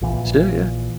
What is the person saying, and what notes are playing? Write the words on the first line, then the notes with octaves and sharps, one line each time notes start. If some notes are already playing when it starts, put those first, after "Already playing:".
Sure, yeah,
A#1 A#2 E3